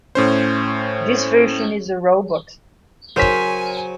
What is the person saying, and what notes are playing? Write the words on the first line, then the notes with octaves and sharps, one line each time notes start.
This version is a robot.
A2 C#4 C5
C#3 F#3 A#4 C5 C#5 G#5 B6 E7